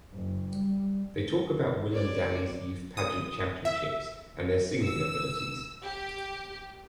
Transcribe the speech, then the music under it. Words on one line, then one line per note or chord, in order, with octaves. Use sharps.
They talk about Will and Danny's youth-pageant championships and their singing abilities.
F#1
G3
C#5 D5
D#6
E5
E6
G4